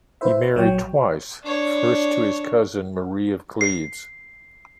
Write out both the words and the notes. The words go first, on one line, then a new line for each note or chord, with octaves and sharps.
He married twice, first to his cousin, Marie of Cleves.
E4 B4 C5 E5
A#1 F#3 C#5 G5
D4 C#5
C7